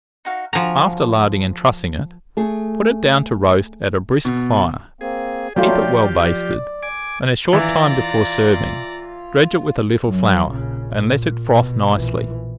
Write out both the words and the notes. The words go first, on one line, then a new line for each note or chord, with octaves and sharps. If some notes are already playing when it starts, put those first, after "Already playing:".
After larding and trussing it, put it down to roast at a brisk fire; keep it well basted, and a short time before serving, dredge it with a little flour, and let it froth nicely.
D#4 F#4 F5
F3 F#4 G#5 A#5
A3 G#4
B2
A#3 C4 G#4
F3 F#3 A3 F4 G4 D5 G5
D5
G#5 D6
E3 F4 D5 A#5
F#2 F#3
A#1 C#3
A#2
B2
A#1 E3